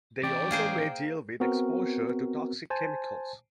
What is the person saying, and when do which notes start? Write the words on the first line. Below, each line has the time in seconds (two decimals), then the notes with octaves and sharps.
They also may deal with exposure to toxic chemicals.
0.23 E3 C#4 D5 G5
0.51 A#3 G#4 C5
1.40 B3 C4 F#4 A#4
2.70 C5 G#5 A5